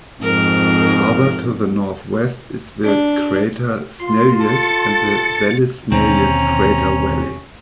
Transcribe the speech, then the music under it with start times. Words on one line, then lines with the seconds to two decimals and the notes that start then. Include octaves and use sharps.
Farther to the northwest is the crater Snellius and the Vallis Snellius crater valley.
0.23 F2 G#2 A#4
2.85 D4
4.00 F4 C6
4.40 A4 A6 C#7
5.92 D#2 B2 D3 C4 C#4 A#5